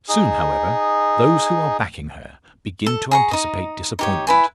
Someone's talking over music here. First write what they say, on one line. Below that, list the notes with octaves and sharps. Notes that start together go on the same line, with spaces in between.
Soon, however, those who are backing her begin to anticipate disappointment.
D#4 G#4
A4
G#4 A#5 C#6
D#4 D#5
D#4 G4 C#5
E4 B4 G#5